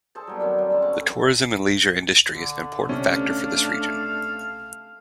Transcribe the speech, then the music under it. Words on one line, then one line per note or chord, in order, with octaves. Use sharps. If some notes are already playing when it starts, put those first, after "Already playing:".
The tourism and leisure industry is an important factor for this region.
G#4 A4 C5 A5
F#3 G3 B3
D#3 F#3 C4 D4
G3
C#3 C4 A5
D3 A5 C#6
D3
C3 A3 C#4 D4 F5